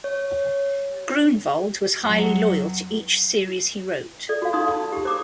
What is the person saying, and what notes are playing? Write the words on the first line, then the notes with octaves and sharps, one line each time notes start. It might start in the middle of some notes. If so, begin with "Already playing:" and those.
Gruenwald was highly loyal to each series he wrote.
C#5
F2 F#3
A4 D5
F#4 F5
D#4 C6 D#6
A5
G4
C5 D6 D#6